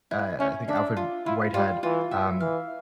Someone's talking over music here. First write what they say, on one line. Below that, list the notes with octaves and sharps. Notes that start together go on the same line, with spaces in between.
uh, I think, Alfred Whitehead, um,
E4
C#4 E4
D4 E5
F4
E4 F4
G3 F4
E3 F4
E5
E3 F5